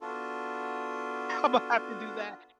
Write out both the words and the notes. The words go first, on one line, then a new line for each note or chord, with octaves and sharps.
imma have to do that.
B3 D4 F4 F#4 A4